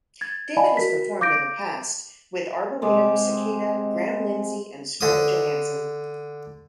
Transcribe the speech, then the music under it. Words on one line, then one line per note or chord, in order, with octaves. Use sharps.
David has performed in the past with Arbouretum, Cicaeda, Graham Lindsey, and Scarlett Johansson.
G#6 A6
D5 D#5 F5 G#5 A5 B5
F#4 A#4 B6
F5 D6 G6 A#6 D7
C3 G#3 A5 D6
D3 D#6